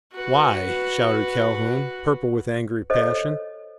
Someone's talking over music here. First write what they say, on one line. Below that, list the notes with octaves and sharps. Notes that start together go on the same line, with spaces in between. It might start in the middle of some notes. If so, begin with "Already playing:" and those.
"Why?" shouted Calhoun, purple with angry passion.
F#4 B4
A4 C5 C#5 D#5